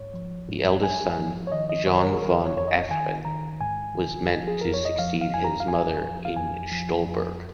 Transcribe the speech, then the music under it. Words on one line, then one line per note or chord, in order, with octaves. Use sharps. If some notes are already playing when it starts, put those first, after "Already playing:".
The eldest son, Johann von Efferen, was meant to succeed his mother in Stolberg.
Already playing: G#2 C#5
F3
G#2
G#2 G#5
F3
C#5
D#3 D#5
D#5
D#3 C#5
C#5
A#4
G#4
D#3 A#4
C#5
F2 C#5
D#5
D#3 G#5
D#3 A#5
G#2 G#5
D#3
F3
G#4
F2 A#4
C#5
D#5
F3 F5
F5
F2 G#5
A#5
F5
F2 G#5
F3
F5
F2 G#5
F3
F2